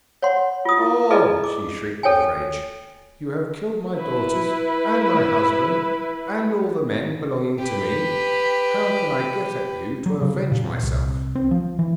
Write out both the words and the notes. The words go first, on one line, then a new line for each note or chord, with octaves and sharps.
'Oh,' she shrieked with rage, 'you have killed my daughters and my husband, and all the men belonging to me; how can I get at you to avenge myself?'
C#5 F#5 C6
F4 D#6
E4
E4 G#4 A4 B4 D5 D#5
D6
A4 C#5 G5 G#5
E4 B4
G4 B4
F#3
C#3
A#2
C2
C4
F3
E3